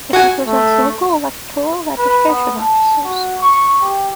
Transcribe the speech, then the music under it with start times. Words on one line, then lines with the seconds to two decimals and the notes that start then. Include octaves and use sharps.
It represents local electoral registration officers.
0.13 F#4 F#5 G#5
0.47 A3
1.98 B4
2.28 B3
2.60 A5
3.05 F#4
3.41 C#6
3.81 G4